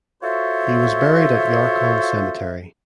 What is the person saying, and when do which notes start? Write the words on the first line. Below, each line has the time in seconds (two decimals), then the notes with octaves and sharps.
He was buried at Yarkon Cemetery.
0.23 F4 F#4 A4 C5 C#5 E5